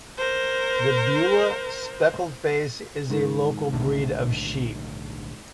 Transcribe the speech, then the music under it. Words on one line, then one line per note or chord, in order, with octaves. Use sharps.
The Beulah Speckled Face is a local breed of sheep.
A#4 C5
G#2 D#3
B1 A2 D3